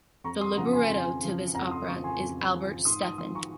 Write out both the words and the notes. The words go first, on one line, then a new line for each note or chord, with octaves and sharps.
The libretto to this opera is by Albert Steffen.
F2 A#5 C#6
C6 D#6
C#3 F3 F#5 A#5
G#5 C6
F2 G#5 C6
C#3 F3
F2 F#5 A#5
C6 D#6
C#3 F3 A#5 C#6
G#5 C6
F2
C#3 F3
G#2 C6 D#6
C6 D#6
F3 C6 D#6
A#5 C#6